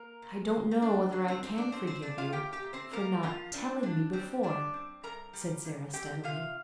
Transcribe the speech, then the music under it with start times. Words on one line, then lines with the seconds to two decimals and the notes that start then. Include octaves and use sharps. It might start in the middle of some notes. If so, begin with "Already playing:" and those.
"I don't know whether I can forgive you for not telling me before," said Sara steadily.
Already playing: A#3 A#4
0.22 A#2
0.53 A#3
0.71 C4
0.82 A#3 D4
1.12 A#3 D4
1.28 C4
1.43 A#2 C4
1.58 D4
1.72 F3 C4 C5
1.87 C4 C5
2.02 A#2 D4 D5
2.18 F4 F5
2.32 A#3 G4 G5
2.53 G4 G5
2.63 A#2
2.73 C4 C5
2.93 F3 A#3 A#4
3.23 A#2 F3 F4
3.53 C4 D4
3.83 G2 D4
4.13 G3 C4
4.43 G2 D4 D5
4.74 C4
5.03 G2 A#4 A#5
5.33 G3
5.64 G2
5.93 C4 G4 G5
6.23 C3 F4 F5